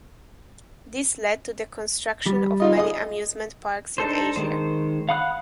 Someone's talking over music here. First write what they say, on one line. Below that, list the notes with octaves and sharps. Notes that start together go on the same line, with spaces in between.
This led to the construction of many amusement parks in Asia.
G3
D#4 F4 D#5
G#4 D#5 D#6
D4 D#4 A4 C5
D#3 G#3 C5
F5 F#5 B5 D#6 F#6